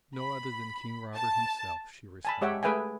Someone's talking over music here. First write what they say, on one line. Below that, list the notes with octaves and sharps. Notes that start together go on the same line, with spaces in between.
"No other than King Robert himself," she responded.
B5
A5
G#5 A5 B5
G#3 G4 C#5 E5 F#5 G5
A3 G#4 B4 E5 G5 G#5